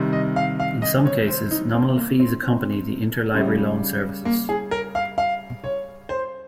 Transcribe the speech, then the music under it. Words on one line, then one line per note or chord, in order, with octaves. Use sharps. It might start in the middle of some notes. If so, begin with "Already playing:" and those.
In some cases, nominal fees accompany the interlibrary loan services.
Already playing: C3 D#3 G3
D#5
F5
F5
D#5
C#5
C5
D#4
C4
A#3
C4
C4
C#3 G3
A#3
G#4
A#4
F5
F5
C#5
C5